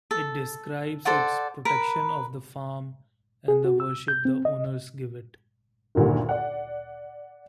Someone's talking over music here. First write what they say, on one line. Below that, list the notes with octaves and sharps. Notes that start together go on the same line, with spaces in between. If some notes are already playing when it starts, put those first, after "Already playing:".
It describes its protection of the farm and the worship the owners give it.
A4
A4 C5 D5 F#5
A#4 B4 B5
G#4
F#4
E6
G6
C4
D#5
D2 G2 A#2 D3 D#3
D5 F#5